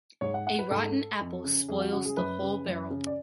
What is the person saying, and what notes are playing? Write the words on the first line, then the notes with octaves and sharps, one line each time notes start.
A rotten apple spoils the whole barrel.
G#2 C#5
F#5
F#5
B4
G#2 A4
F2
C#3
F2 G#4
F#4
C#3 F#4
G#4
F#2 B4
C#3
F#2
C#3
D5